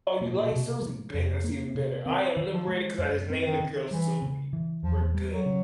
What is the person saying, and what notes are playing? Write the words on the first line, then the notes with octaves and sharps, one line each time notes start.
Oh, you like Suzie, bet that's even better. I am liberated 'cause I just named the girl Suzie. We're good.
B2 A#3
A#2
B2
C3
F3
F2 C3
A#3
C3
D#3 C4
D#3
F3
G#3
F#2
C4
D#3
D#3
E3 G3
C#3
E3
E2 F3
G3
F#3
C#3